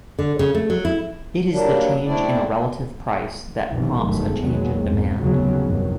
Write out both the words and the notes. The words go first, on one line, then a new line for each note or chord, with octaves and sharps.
It is the change in a relative price that prompts a change in demand.
D3
C#3
A3
F#3
E4
F#3 G3 A#3 D4
A3 C4 D4 E4 D5
B1 F2 C3 D#3 E3
G1 F#2 B2 D#3 G#3 A3
E2 A#2 D#3 F#3 G#3 B3
B1 E2 G2 A#2 C4
F1 D#2 A2 C#3 F#3 B3
G1 C2 F2 A2 D#3 F#3